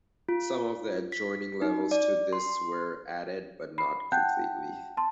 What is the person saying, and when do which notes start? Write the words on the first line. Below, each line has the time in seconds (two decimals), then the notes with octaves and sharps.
Some of the adjoining levels to this were added, but not completely.
0.29 F4
1.12 B6
1.62 D#4
1.91 D5
2.33 C6
3.78 B5 C7
4.12 F#5 G5 A5 F#6 G6
4.97 A5 C6